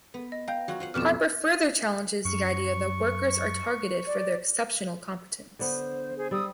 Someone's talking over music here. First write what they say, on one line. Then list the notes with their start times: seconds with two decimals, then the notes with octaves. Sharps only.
Harper further challenges the idea that workers are targeted for their exceptional competence.
0.14 B3
0.32 D#5
0.48 F5 G5 A#5 G6
0.68 F#3 F4 F#4
0.80 F4 C5 F#5
0.94 F2 B2 D5 F6 E7
2.25 F#2 C#6
4.07 D5
5.59 D3 B3 C5
6.17 G#4 C5
6.31 G3 C4 D#6 E6